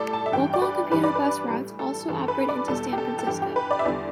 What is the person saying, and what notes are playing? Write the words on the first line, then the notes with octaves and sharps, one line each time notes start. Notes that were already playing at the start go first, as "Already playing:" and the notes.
Local and commuter bus routes also operate into San Francisco.
Already playing: A2 G3 A4 D5
A5
E5
G2 E3 G3 G5
D5
B4
G2 E3 G3 B4
D5
B4
A2 G3
A4
G2 E3 G3 A4
B4
D5
E2 B2 G3 A4
G4
A4
A4
G2 E3 G3 G4
G4
B4
D5
E5
E2 D3 G3 D5